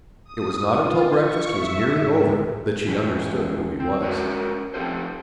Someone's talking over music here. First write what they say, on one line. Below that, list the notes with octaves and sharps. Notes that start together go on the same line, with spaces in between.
It was not until breakfast was nearly over that she understood who he was.
D#6
F4
C#6
E5
G#2
E3 G#3 C#4
C4
G#3 C#4 F#4 A#4 C#5 E5
F3 G#3 C4 G4 A4 C5